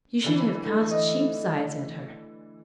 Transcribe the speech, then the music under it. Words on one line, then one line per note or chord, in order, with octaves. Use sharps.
You should have cast sheep's eyes at her.'
D3 E3
A3
D#5